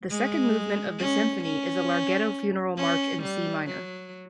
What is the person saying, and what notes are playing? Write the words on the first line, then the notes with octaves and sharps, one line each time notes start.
The second movement of the Symphony is a "Larghetto" funeral march in C minor.
G#3
C#4
C#4
C#4
G3
F#3